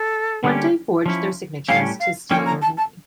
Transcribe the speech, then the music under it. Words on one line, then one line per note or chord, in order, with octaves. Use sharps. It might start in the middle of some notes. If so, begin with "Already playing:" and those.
Puente forged their signatures to steal their money.
Already playing: A4
D3 G3 A#3 C#4 G4
F3 C#4 E4
A2 G3 C#4 G4 F5
F5
D3 F3 A#3 C#4 G5
A#5
A5
A5